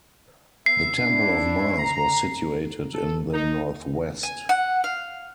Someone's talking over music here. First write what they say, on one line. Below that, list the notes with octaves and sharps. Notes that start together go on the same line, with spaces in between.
The Temple of Mars was situated in the northwest.
B3 E5 C7
D4 E4
A#5
A4
D#4
G#5
F#5
F5